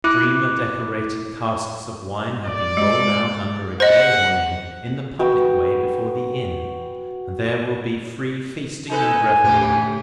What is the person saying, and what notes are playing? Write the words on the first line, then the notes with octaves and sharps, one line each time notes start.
Streamer-decorated casks of wine have been rolled out under a gay awning in the public way before the Inn, and there will be free feasting and revelry.
E4 D6 F#6
D5
G#3
C5 D#5 F#5
F#4 B4 G5
D#4 A4 B4 G#5
A2 C#3 B3 G4